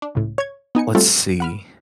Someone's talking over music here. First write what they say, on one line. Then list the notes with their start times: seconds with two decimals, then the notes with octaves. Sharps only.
let's see.
0.02 D4
0.15 C#2 A2
0.38 C#5 G#6
0.75 B3 D#4 G#5 C#7
0.95 G3 A3 C4 F4 F#4 A4
1.40 F#5 B5 F6